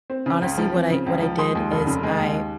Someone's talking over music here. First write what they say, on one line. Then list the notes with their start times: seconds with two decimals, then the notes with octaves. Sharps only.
honestly, what I what I did is I
0.10 C4
0.26 C#3
0.42 C#2
0.58 F3
0.74 C4
0.90 C#3
1.06 C#2
1.22 F3
1.38 G#3 C6 D#6
1.55 D#2
1.71 F1
1.87 C#3
2.03 G#3
2.19 D#2